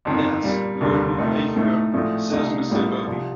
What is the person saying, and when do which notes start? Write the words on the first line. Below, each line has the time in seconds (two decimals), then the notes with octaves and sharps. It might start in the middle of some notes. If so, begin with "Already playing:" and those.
"That's very like her," says Mr. Guppy.
0.05 G1 F2 D#3 A#3
0.43 A#2 G3 A#3
0.81 F1 D#2 D3 G3 A#3
1.18 F1 F2 D#3 A3 D#4
1.56 A2 A3 D#4
1.94 A#1 A2 F3 A3
2.32 C2 A#2 A3 D#4
2.69 A1 A2 G3 A#3 F4
3.07 C2 C3 F3